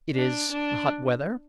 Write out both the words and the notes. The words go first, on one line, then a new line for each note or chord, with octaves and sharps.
It is hot weather.
D4
D4